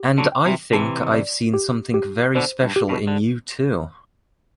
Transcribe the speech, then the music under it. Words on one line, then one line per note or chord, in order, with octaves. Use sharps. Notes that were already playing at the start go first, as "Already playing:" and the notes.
And I think I’ve seen something very special in you too.
Already playing: G4
D3 F#3
G5
C3 E3
C3 E3 A5
D5
G4
G4
B2 D3 C5
G2
G4
G2 B2
D3